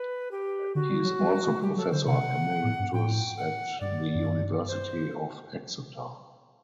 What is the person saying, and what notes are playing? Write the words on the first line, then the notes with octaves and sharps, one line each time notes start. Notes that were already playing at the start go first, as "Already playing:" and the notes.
He is also Professor Emeritus at the University of Exeter.
Already playing: B4
G4
D3 F#4
G3
F#3
G3
G3
A3
G3 G4
F#3 A4
D3 C5
C3 F#5
A2
G2
A2 G5
F#5
G2 D5
F#2
G2
C5